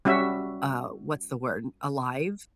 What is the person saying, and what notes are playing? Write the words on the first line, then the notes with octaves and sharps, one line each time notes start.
uh, what's the word? Alive,
G3 C#4 F#4 E5